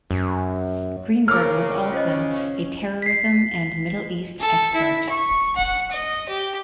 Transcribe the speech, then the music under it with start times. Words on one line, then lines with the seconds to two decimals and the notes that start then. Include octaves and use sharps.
Greenberg was also a terrorism and Middle East expert.
0.11 F#2
1.28 C#3 A#4 D6 F6
1.92 C#4 F4 C5 D#5
3.02 B6 C7
4.40 A4
4.74 E4
5.10 C#6
5.56 F#5
5.91 D#5
6.29 G4